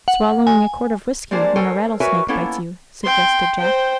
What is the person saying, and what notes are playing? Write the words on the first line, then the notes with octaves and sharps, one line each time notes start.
"Swallowing a quart of whiskey when a rattlesnake bites you," suggested Jack.
F#5
G#5
G3 G#3 A#3 D4 G#4 C5
A4 A#4 C5 C#5 G#5
F#4 A#4 B4 C#5 E5 G#5
A#3 B3 C#4 E4 A4
G5 C6
C5 G5